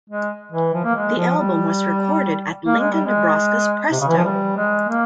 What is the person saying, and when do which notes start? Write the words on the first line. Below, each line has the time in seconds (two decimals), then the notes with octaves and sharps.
The album was recorded at Lincoln, Nebraska's Presto!
0.10 G#3
0.52 E3
0.74 F3
0.84 A#3
0.96 G#3
1.17 F3
1.37 G3
2.66 A#3
2.78 G#3
2.91 G3
3.05 G#3
3.92 C3
4.00 C#3
4.08 E3
4.17 F3
4.25 G3
4.57 G#3
4.89 A#3